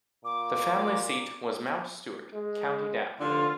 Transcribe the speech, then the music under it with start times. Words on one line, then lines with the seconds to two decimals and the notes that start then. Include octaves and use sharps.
The family seat was Mount Stewart, County Down.
0.25 A#2 D6
2.33 G#3
3.20 F1 D3 F4